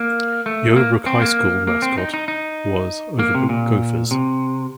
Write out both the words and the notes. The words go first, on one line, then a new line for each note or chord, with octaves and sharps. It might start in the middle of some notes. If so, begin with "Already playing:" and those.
The Overbrook High School mascot was Overbrook Gophers.
Already playing: A#3
A3
A#3
C4
A#3
A#3
C4
D#4
D#4
D#4
A#3
C3
A#2
C3